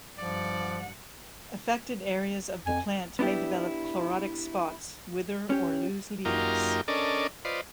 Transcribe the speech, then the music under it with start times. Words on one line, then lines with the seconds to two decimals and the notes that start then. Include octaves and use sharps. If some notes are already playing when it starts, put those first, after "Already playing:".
Affected areas of the plant may develop chlorotic spots, whither, or lose leaves.
0.18 G2 F3 D5 F#5
2.66 F2 G#5
3.19 B3 D4 E4 G4
5.50 C#4 G4
6.25 F#2 A#3 D#4 F4 G4 A#4
6.88 C#4 D4 A4 A#4 D5 D#5
7.45 F4 B4 C5 D5 D#5